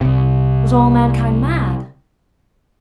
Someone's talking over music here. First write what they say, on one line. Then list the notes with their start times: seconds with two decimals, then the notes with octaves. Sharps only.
Was all mankind mad!
0.01 C2 C3